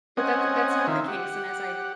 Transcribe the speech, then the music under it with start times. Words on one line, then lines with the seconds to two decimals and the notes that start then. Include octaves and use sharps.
Bbut that that's not the case, and as I
0.17 C4 C#4 D#5 F#5 G#5
0.87 D#3 F4 E5
1.08 G4 F#5